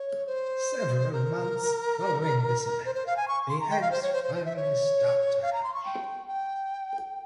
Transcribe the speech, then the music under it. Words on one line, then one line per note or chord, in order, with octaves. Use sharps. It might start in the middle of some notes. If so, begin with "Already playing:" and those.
Several months following this event, the eggs finally start to hatch.
Already playing: C#5
C5
A#4
C5
C5
F5
G#5
C#6
C6
A#5
G5
F5
C5
C#5
C5
C5
C5
E5
C#5
F5
A#5
C6
C#6
G5
G5